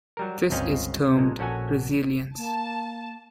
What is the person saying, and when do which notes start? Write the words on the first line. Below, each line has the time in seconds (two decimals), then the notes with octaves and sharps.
This is termed resilience.
0.17 F#3 G3 A#4
0.50 G1 C#2 C4 C#4 D#5 F5
1.16 B1 A#2 G#3
1.39 A#1 C#4 F#4 A4 F#5 G#5
2.37 A#3 A5